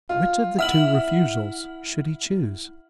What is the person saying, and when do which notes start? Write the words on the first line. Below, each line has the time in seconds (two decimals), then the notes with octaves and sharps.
Which of the two refusals should he choose?
0.09 F4
0.59 E4 E5 F#5 F6 F#7